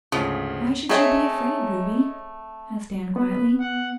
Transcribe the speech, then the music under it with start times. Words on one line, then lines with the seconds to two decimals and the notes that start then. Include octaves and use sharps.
"Why should you be afraid, Ruby?" asked Anne quietly.
0.12 D2 G#2 C#3 F3
0.89 A3 C4 D#4 G#4 C#5 E5
3.16 B3 B4
3.60 F#5